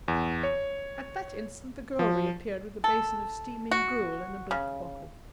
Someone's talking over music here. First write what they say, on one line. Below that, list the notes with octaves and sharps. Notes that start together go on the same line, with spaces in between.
At that instant the girl reappeared with a basin of steaming gruel and a black bottle.
E2
C#5
F3
A4
F#4
C#3